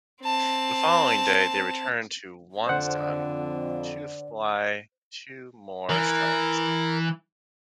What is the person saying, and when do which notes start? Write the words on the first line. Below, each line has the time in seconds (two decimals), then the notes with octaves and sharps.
The following day they returned to Wonsan two fly two more strikes.
0.22 C4 A5
2.67 F2 D3 C5 D5 F#5
5.89 E3 A#4